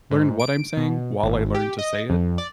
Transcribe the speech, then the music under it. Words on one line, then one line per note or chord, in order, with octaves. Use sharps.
learn what I'm saying while I learned to say it,
G#2
D7
B2
G#1
G4
D#5
F2
D5